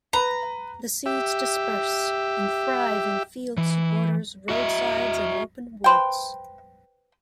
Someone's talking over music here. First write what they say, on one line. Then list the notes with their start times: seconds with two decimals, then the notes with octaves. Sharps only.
The seeds disperse and thrive in fields, borders, roadsides and open woods.
0.13 B4 A#5 B5
1.06 G4 E5
3.57 E3
4.49 F#4 D#5 E5
5.84 B4 C5 G5